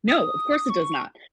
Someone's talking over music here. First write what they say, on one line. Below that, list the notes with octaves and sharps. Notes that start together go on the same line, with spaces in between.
No, of course it does not.
D#6
C#6